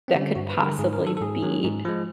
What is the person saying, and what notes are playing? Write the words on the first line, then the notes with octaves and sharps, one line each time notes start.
that could possibly be"
C4
D3 G3
C#4
G2 F#4
B4
D3 G3
A#4
G#2 G#4
A#4
D#3 F#3
A4
A4
G#2 G#4
D#3 F#3
G#2
F3 G#3